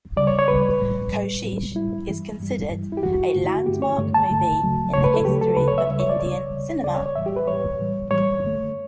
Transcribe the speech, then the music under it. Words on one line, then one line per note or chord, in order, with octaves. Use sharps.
Koshish is considered a landmark movie in the history of Indian cinema.
D2 C#3 G3 D5
C#5
C#5
D2 C#3 G3 B4
A2 G3
A2 G3
A2 G3
A2 G3 E4
G2 E3 G3
G2 E3 G3
G2 E3 G3
E4 G4
G2 E3 G3 F#4
G2 D3 A3
E4
F#4
G2 D3 A3 G4
C#5
G2 D3 A3
A5
G2 D3 A3
D2 C#3 F#3 A3
D2 C#3 F#3 A3 C#5
B4
A4
D2 C#3 F#3 A3 G4
A4
D2 C#3 F#3 A3 B4
C#5
E5
D2 C#3 G3
C#5
D5
D2 C#3 G3 C#5
D2 C#3 G3
D2 C#3 G3 D5
C#5
C#5
A2 E3 G3 E5
G4
B4
A2 E3 G3 C#5
A2 E3 G3
A2 E3 G3 C#5
F#2 D3 A3